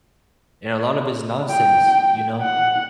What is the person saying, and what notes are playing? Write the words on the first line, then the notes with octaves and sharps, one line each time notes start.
And a lot of it is nonsense, you know?
G5
F#5